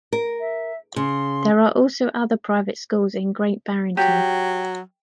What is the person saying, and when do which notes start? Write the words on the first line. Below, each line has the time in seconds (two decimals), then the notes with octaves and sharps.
There are also other private schools in Great Barrington.
0.13 A#4
0.40 E5
0.96 C#3 C6
3.97 F#3 G4